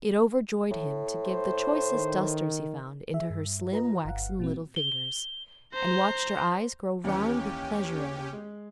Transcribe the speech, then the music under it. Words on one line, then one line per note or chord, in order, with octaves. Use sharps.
It overjoyed him to give the choicest dusters he found into her slim, waxen little fingers, and watch her eyes grow round with pleasure in them.
A2
C5
D#3
G#4 E5
G2
F4 B4 D#5 A#5
G1 F5 F#5
A#2 F#3 C4
G7
C5 A#5
D#2 E3 C#4 G4 C#7
G#3